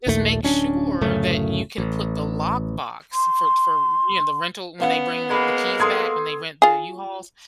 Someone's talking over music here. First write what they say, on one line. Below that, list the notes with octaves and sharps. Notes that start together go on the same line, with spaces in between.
Just make sure that you can put the lockbox for for, you know, the rental when they bring the the keys back and they rent the U-Hauls,
A#1 D#2 A#2 A3
D1 C#4 D4
D1 F#2 C#3 A3
A1
C6
B3 C#4 F5 F#5
F#3 G#3 A#3 B5
A4 C6 D#6 G#6
F4 G#4